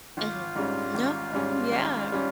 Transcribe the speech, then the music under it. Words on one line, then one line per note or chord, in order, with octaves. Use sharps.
Mhm. No. Yeah.
G#1 F4
G#2 G3 C#4
G#1
G#2 G3 C#4
G#1
G3 C#4